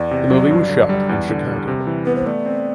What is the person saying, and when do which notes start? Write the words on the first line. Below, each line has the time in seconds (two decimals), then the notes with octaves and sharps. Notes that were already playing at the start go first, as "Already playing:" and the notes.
The movie was shot in Chicago.
Already playing: E2 D5
0.11 C3
0.30 F#3
0.51 G2
0.70 D3
0.89 G3
1.09 E2
1.29 D3
1.48 G3
1.68 C3
1.87 E3
2.06 B3 B4
2.16 C5
2.26 A3 D5
2.46 C4